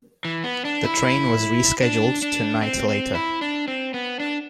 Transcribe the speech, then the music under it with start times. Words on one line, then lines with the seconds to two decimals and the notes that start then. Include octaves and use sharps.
The train was rescheduled to night later.
0.25 E3
0.44 B3
0.65 D4
0.84 E4
1.82 D4
2.22 D4
2.62 C4
2.88 C4
3.15 E4
3.41 D4
3.68 C4
3.94 B3
4.20 D4